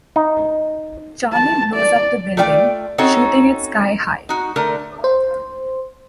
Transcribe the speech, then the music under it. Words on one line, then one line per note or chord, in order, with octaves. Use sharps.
Charlie blows up the building, shooting it sky-high.
D#4
A5
D5
A3 F4 D5 G5
C4 C#4 D#4 F#4 A4 C#5
D#4 F#4
D3 A3 A#4
C5